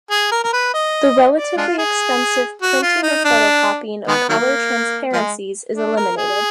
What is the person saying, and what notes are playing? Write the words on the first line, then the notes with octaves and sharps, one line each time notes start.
The relatively expensive printing or photocopying of color transparencies is eliminated.
G#4
A#4
A#4
B4
D#5
D5
G#3 D4 F4
G#4
F#4
F4
D#4
D4
D#3 G#3 B3
D#3 F#3 A#3
F3 G#3
D4
A#4
G#4